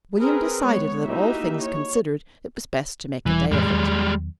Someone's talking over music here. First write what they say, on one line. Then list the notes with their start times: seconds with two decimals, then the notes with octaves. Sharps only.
William decided that all things considered it was best to make a day of it.
0.18 C4 G#4 A#4 B4
0.62 G#3 B3 C#5
1.04 A#3 D#4 E4 F#4 G4 E5
1.62 C#5
3.26 E1 E3 G3
3.51 F2 A2 E3 G3 G#3
3.70 E2 D#3 F#3